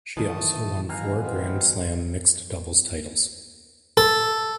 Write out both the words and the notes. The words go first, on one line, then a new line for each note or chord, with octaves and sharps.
She also won four Grand Slam mixed doubles titles.
F#2 D#3 E3 A3 A5 D#6
B2 F5 G#5 A#5
B3 C4
A4